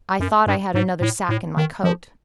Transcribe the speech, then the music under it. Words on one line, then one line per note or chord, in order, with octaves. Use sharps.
I thought I had another sack in my coat.
F#2
G2
G#2
A2
A2
D#3
F3